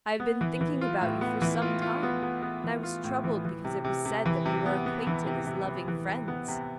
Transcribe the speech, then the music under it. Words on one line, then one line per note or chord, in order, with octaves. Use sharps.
I have been thinking about you for some time, and I was troubled because it was said that we were acquainted as loving friends.
B3
E3
E3
F4
A2
B3
E3
F4
F4
B3
B3
B3
E3
F4
A2
E3
E3
C3
C3
C3
E3
C3
B3
B3
E3
C3
C3
C3
E3
C3
B3
C3